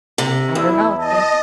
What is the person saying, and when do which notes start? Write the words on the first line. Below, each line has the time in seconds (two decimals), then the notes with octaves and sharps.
I don't know, it's been
0.18 C3
0.55 E2 E4
0.98 D#5 A5